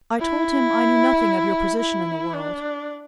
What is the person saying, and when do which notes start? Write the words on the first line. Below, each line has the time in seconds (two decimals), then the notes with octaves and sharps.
I told him I knew nothing of your position in the world.
0.19 E4
1.80 E4
2.34 D4